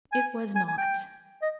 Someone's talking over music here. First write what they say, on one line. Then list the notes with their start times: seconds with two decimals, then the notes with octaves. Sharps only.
'It was not.
0.13 G#5
0.56 G#5
0.68 G#5
0.78 G5
1.42 D#5